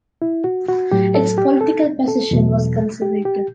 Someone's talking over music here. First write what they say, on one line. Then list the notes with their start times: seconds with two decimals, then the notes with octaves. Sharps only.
Its political position was Conservative.
0.22 E4
0.44 F#4
0.68 F#4
0.92 A2 F#3 G4
1.15 A4
1.38 G4
1.61 A4
2.08 A4
2.31 E2 B2 F#3
3.02 G4
3.25 G4